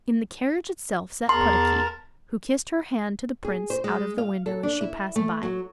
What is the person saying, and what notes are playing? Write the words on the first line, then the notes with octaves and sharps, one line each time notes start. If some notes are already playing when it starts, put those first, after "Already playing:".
In the carriage itself sat Puddocky, who kissed her hand to the Prince out of the window as she passed by.
E2 A#4 A5 C6
G#4
C5
G#3
F5
A4
D4
E4
A3
F#3